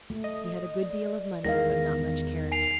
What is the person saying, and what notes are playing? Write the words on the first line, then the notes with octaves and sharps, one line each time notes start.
He had a good deal of money but not much character.
A3
D#5
D5
E2 D#3 G#3 A#4 F5 A#6
G#5 C7 F7